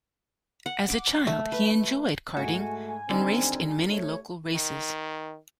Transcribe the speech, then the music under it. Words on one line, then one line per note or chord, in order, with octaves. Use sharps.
As a child he enjoyed Karting and raced in many local races.
F#5
D6
A3
B4
G#2 A3 F#4 G#5
D3 D#3 G3 C4 D4 D#4
C2 A3 C#5
D#3